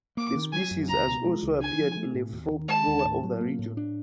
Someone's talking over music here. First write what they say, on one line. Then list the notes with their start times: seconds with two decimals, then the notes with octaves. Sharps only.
The species has also appeared in the folklore of the region.
0.17 A#3 D6
0.35 D#3
0.53 F#3 G#5
0.71 F#2
0.89 C#2 A#5
1.07 B2
1.25 G#3
1.43 C#2
1.61 D4 G#5
1.79 F3
1.97 A3
2.14 A2
2.33 D#2
2.51 D#3
2.68 G#3 A5
2.87 D#2
3.05 A2
3.23 F#3
3.41 A#3
3.59 A2
3.77 D4